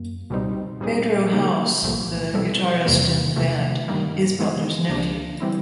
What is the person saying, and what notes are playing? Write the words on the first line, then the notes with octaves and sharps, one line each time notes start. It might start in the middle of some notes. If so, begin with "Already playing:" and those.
Pedro Howse, the guitarist in the band, is Butler's nephew.
Already playing: F#2 A#3
C#2 B2 G3 C4 D#4
A#2 G3 C4 D#4 G#4
C#3 F#3 A#3 D#4
C2 A#2 F3 A3
B2 G3 C4 E4 A4
E2 C3 E3 G3 A#3
C3 F3 A3
G2 D#3 G3 A#3
E3 G#3 B3 E4 G#4
C#2 C3 F3 A#3 D4
E3 G3 C4 E4